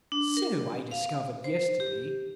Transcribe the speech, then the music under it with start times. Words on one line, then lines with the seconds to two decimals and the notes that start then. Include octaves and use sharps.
So I discovered yesterday.
0.12 D4
0.37 A#4
0.91 F5
1.44 C5
1.80 G4